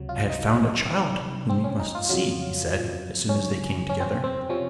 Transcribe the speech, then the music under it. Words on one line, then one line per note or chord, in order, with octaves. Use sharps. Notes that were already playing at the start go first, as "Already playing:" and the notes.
"I have found a child whom you must see," he said, as soon as they came together.
Already playing: C#2 C3 F#3
F4
D#4
C4
C#4
D#4
F4
F2 C#3 F#3 F4
C#4
C#4
C4
C4
C3 F3 C#4